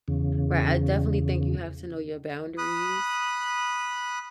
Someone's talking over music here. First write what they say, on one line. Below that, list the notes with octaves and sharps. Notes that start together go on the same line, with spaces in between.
Right, I definitely think you have to know your boundaries,
E2 C#3
B5 D#6 F#6